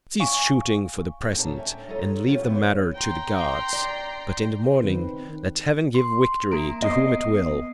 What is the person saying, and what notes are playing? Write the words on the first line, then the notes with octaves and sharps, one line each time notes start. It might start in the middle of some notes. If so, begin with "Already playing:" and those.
Cease shooting for the present and leave the matter to the gods, but in the morning let heaven give victory to whom it will.
F5 G#5 C#6
E2 A2 G4 G5
D4 A#4 C#5 A5
C#4 E5 G5
E4 F4 A4 A#4 C#5 D#5
D#2 B2 C#4 F4 G4 C#5
F2 B3 E4 C5 C#5 G5
G5 A#5 C6
D5
D#3 C4 B4
C6
A#3 A#5 D7
B3 D#5 D#6 C7